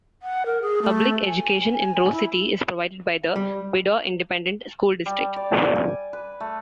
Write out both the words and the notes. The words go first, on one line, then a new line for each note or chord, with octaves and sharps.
Public education in Rose City is provided by the Vidor Independent School District.
F#5
A#4
G#4
A3
G#5
E4
G3
G3
D5
G#5
B4
A3